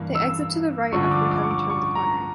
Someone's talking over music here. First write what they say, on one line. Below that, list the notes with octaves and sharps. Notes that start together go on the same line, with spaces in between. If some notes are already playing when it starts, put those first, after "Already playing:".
They exit to the right after having turned the corner.
Already playing: G2 E3 A#3
E6
G2 D3 F3 C#6
D6
D6
C#6
D6
C#6
A#5